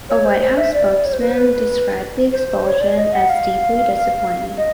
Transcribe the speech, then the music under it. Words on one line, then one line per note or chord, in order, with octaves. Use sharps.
A White House spokesman described the expulsion as "deeply disappointing".
C#5
C5
C5
E5
D5
C#5
C5
B4
C5
B4
C5
C#5
D5
D#5
F#5
F5
D#5